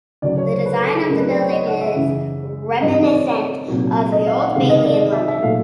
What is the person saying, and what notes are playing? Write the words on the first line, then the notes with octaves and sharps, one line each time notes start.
The design of the building is reminiscent of the Old Bailey in London.
D2 C#3 F#3 D5
C#5
C5
B4
A4
G#4
C#2 C#3 F#3 A3 A#4
B4
D5
C#5
D#5
F#5
E5
F#2 C#3 E3
G#2 E3 G3 C4 D#5
D#5
D5
C#5
C2 A#2 F#3
D#5
F5
F#5
C#2 C3 D#3 G#3 F5
D#5
D5
D#5
E5
E5
A#2 F#3 A3 F5